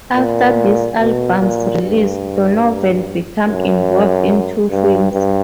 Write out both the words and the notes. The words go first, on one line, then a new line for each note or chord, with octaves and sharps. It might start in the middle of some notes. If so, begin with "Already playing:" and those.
After this album's release, Donovan became involved in two films.
A#2
B2
A#2
G2
F#2
G2
G2